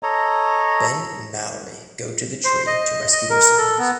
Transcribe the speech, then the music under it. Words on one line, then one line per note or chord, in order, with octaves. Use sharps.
Ben and Mallory go to the tree to rescue their siblings.
A4 C#5 D#5 A#5
C5
D#5
D#5
A#4
A4
B3